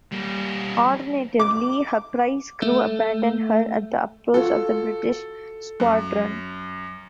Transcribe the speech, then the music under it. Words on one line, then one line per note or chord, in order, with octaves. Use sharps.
Alternatively, her prize crew abandoned her at the approach of the British squadron.
G3 A#3
D6
A3
F4 F#4 A4
F#2